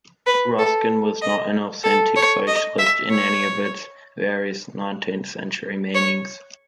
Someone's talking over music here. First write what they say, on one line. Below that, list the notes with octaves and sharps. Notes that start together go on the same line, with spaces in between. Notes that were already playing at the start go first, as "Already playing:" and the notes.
Ruskin was not an authentic Socialist in any of its various nineteenth-century meanings.
B4
A4
D#5
A4
C#5
D#5
E5
C#5
C#5